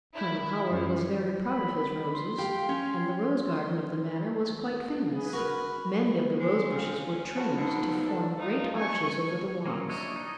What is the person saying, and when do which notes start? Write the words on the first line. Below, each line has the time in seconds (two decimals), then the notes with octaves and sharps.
Colonel Howard was very proud of his roses, and the rose garden of the manor was quite famous; many of the rose-bushes were trained to form great arches over the walks.
0.14 E4
0.70 F#2
1.45 B5
2.13 C6
2.38 G4 F5 G5
2.69 C#4 C#5
3.48 C6
5.10 G#4 B4 G#5
5.33 F#4 A#4 B4 B5
6.40 G#3
6.71 C4 C#4 F4
7.37 F3 B3 F#4 A5
7.57 B2 D3 D#4
8.06 D4 A4 F5 A5
8.38 D#4 F4
8.76 G#5 C#6
9.66 F#3 A#3 C#4
9.89 D4 E4 C#5 D#5
10.16 D#4 D#5